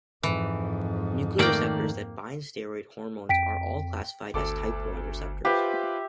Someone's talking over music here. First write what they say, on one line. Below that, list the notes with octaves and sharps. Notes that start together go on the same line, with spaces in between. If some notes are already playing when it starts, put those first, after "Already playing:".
Nuclear receptors that bind steroid hormones are all classified as type one receptors.
F2 G#2 E3
D#3 A3 A#3 D5 G5
F2 G5 B6 D7
G1 D2 A4 D6
F4 G4 B4 C5 E5